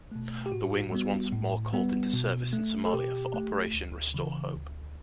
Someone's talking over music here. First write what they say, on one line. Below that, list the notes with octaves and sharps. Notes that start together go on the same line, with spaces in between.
The wing was once more called into service in Somalia for Operation Restore Hope.
B2 A3
G4
A2 F#4
G3 B3
A2
G3 B3
B2
A3
A4
B2 G4
A3
D2
C#3 E3
D2